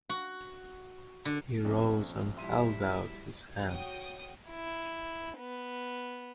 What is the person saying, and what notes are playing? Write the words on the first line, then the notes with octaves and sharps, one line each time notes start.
He rose and held out his hands.
F#4
D3
A#1 A3 C4 C#4
G3 E4 E5 C6 D#7
F#4 C#5 G5 D#6
E4
B3